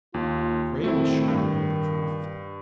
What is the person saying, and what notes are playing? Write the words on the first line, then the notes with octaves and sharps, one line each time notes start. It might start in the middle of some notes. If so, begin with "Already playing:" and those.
Grey must surely know the truth.
D#2 F4
D#3 A3 C4 E4
G2